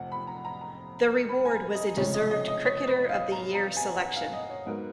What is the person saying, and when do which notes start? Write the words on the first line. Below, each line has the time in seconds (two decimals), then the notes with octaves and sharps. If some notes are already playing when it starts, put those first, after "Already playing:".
The reward was a deserved Cricketer Of the Year selection.
Already playing: F1 F2 F#5
0.12 B5
0.27 A#5
0.45 A#5
0.61 A#5
1.29 B5
1.45 G#5
1.51 A#5
1.75 D#5
1.97 F1 F2 C#3 F3 G#3 C#5
2.14 D#5
2.31 D#5
2.48 D#5
2.65 C#5
2.87 B4
3.09 F5
3.32 A#5
3.54 A#5
3.77 G#5
3.99 F#5
4.16 F5
4.33 D#5
4.50 C#5
4.66 G#2 F#3 B3 A#4